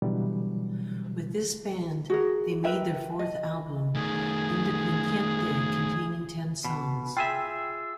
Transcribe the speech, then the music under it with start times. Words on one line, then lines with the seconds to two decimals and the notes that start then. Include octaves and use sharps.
With this band, they made their fourth album, "Independiente" containing ten songs.
0.02 B2 D3 E3 F#3 G3
2.10 F#4 G#4 A#4
2.64 A#4 B4 E5 G5
3.19 D#5
3.95 D#3 A3 G#4
6.64 B2
7.17 F4 G#4 E5 G5 E6